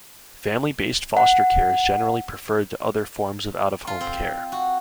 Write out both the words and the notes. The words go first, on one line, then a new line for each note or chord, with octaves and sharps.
Family-based foster care is generally preferred to other forms of out of home care.
F#5
F4
C4
F#4